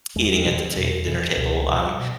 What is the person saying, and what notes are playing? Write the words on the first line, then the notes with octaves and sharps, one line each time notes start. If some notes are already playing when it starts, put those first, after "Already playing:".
eating at the ta dinner table. Um,
E2 G#3
B2 E3
E2
B2 E3
C#2
B2